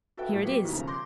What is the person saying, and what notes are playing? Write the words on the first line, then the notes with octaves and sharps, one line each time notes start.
"Here it is."
F#4 A4 B4 E5 G5
A2 G#4
F#3 B3 G4 B6 C#7
D#2 B2 E3
C#3 F3 A#5
C6 D6 G6 A#6